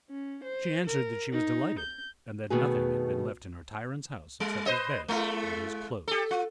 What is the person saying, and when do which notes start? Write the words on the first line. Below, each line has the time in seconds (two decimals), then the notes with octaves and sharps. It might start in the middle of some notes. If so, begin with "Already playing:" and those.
She answered that she was delighted, and that nothing had been left in her tyrant's house except his bed and his clothes.
0.10 C#4
0.44 C5
0.87 A#4
1.32 D#4
1.79 G6
2.50 B2 D#3 A3 B3 F#4 G#4
4.40 G3
4.66 B4 C5 D#5
5.08 G#3 A3 E4
6.08 G4 A4
6.31 F4